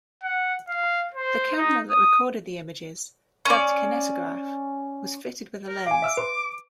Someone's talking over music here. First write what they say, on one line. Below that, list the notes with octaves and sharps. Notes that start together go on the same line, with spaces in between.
The camera that recorded the images, dubbed "Kinetograph", was fitted with a lens.
F#5
F5
C5
D#4
D#6
C#4 D5
A#4
F5 G#5 D6
E5 E6 F6
B4 C6